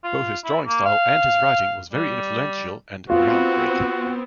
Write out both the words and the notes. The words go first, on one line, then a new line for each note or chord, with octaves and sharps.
Both his drawing style and his writing was very influential and groundbreaking.
F4
E4
A#3
F5
G3
B3 C4 F4 F#4